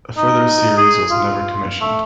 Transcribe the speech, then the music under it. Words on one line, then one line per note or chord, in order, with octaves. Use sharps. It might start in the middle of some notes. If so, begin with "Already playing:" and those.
A further series was never commissioned.
D#4
G#4
F4
A3